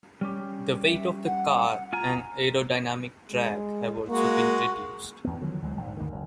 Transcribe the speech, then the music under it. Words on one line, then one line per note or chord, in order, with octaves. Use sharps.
The weight of the car and aerodynamic drag have also been reduced.
G3 C#4 G4
E5
F#5
F4 G#5 A#5
G#3
G#3 A#3 F#4
E2 B3
D3 D#3 F3 F#3
D2 E3 F#3 G#3
A#1 G#2
D2 G#2 D#3
F#1 D2